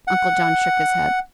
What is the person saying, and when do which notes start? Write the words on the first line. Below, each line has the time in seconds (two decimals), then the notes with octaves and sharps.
Uncle John shook his head.
0.07 F#5